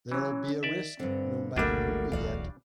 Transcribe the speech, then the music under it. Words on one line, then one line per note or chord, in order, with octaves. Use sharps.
There’ll be a risk, no matter who we get.
E3 F#3 C#4
D#3 D5 E5
G2 D3 C4
G#1 D2 G3 A3 A#3 D4 F#4 G#4
D1 B1 E2 F#4 D5 F5